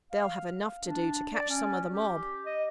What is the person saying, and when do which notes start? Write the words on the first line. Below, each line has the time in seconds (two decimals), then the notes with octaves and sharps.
They'll have enough to do to catch some of the mob.
0.12 F5
0.83 D4
1.34 D5
1.50 C#4
1.91 G4
2.46 D#5